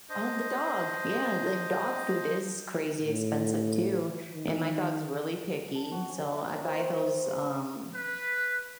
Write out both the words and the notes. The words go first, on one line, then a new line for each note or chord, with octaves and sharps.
Oh, the dog. Yeah. Like, dog food is crazy expensive too. And my dog's really picky, so I buy those, um,
D4 C5 D#5
A2
D#3
A5
F#4
C#4
E5
A#3
C5
E5
D5
D4
B4